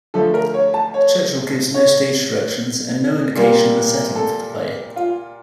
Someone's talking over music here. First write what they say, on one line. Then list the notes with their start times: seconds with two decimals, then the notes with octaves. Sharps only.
Churchill gives no stage directions and no indication of a setting for the play.
0.14 D3 F3 A3 A4
0.34 A#4
0.54 C#5
0.74 A5
0.94 C#5
1.74 C#5
3.35 A#2 G3 A#3
4.16 A4
4.96 F4